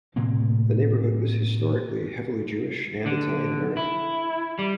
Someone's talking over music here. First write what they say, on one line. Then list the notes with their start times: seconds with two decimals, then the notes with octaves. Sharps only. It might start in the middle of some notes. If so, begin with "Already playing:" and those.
The neighborhood was historically heavily Jewish and Italian-American.
0.16 A2 C3 A#3 C4
3.06 D3
3.77 E4
4.59 G3